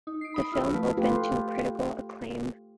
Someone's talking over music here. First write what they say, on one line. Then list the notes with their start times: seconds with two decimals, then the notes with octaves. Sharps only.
The film opened to critical acclaim.
0.07 D#4
0.21 C7 D7
0.34 B5 D#6
0.52 E4 F4
0.73 F3 A3 B4
0.97 A3 F4 G4 B4